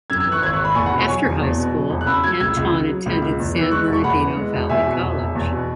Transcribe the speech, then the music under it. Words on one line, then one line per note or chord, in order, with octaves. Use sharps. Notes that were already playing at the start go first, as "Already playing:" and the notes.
After high school, Anton attended San Bernardino Valley College.
F#2 E6 G#6
E6 G#6
E3
C#6 F#6
G#1 E6 G#6
C#6 F#6
G#1
B5 E6
E2 G#5 C#6
F#5 B5
B2
C#5 F#5
F#3 G#5 C#6
E1
E2
B2
F#3
E1
F#6
C#3 B5 E6
F#3 E6 G#6
C#2 E6 G#6
C#2
C#3
F#3
C#2
C#2
E2
E3
E6
G#3 C#6 F#6
E1 C#6
E2 F#5 B5
E3
G#3
E1
E2 E5 G#5
B2
E1
E1
E2
B2